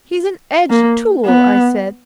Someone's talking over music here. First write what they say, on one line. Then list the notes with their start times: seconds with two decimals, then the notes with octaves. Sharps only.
'He's an edged tool,' I said.
0.70 A#3
1.26 B3